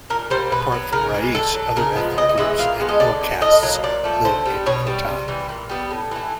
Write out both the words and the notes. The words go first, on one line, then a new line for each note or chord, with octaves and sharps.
Apart from Rais, other ethnic groups and hill castes live in Khotang.
A#2 A#4
G3 A#3 C5
B2 B4
F#3 B3
C#3 A#4
E3 G#3 B3
D3 A4
F#3 A3
C#3 A#4
F3 G#3 B3
C#3 D#5
D#5
E3 G#3 B3 E5
A#2 F5
F3 G#3 B3
D#5
D3 D5
F#3 B3
A2 D#5
F#3 A#3
A#2 D5
F3 A3
D3 C5
G3 B3
B2 C#5
G3 B3
C3
E3 G3
A#2
G3 B3
A2
E3 A3